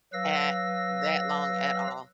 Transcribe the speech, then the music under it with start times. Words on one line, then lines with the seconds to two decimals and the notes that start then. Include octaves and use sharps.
At that long at all.
0.13 F#3 B4 F5 E6 A#6